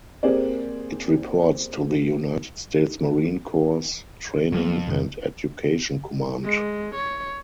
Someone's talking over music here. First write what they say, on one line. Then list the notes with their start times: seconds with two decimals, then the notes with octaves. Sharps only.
It reports to the United States Marine Corps Training And Education Command.
0.23 A#3 C4 G4 G#4 C5 D5
4.52 F2 F#3 G3 A#3
4.87 F1 A#2 D#3
6.44 G#3
6.95 C#5